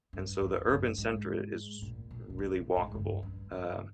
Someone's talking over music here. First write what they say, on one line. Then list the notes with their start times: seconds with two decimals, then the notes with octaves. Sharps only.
and so the urban center i is really walkable, uh,
0.13 G2
0.41 F2
0.69 G2
0.98 G#2
1.82 A#2
2.11 A#2
2.30 A#2
2.39 C3
2.57 A#2
2.77 G#2
2.95 G2
3.23 G2
3.51 G2